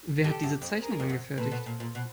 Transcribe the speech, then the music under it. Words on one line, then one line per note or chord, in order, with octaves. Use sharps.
Wer hat diese Zeichnung angefertigt?
G2 G4 A4
F#2
F2
G#4 A#4
F2
F#2
A#2 A4 B4
B2
A#2
A#2
B2